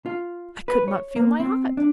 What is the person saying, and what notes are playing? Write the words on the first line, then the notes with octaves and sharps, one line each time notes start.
I could not feel my heart.
F4
B4
C#5
A#3
C4
D4